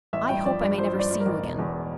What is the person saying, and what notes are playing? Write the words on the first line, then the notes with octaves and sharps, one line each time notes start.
I hope I may never see you again.
A1 E5
G2 G5
F3 D5
G2 D5
F3 C5
G2
D5
G2
A#4
A1
E1
E2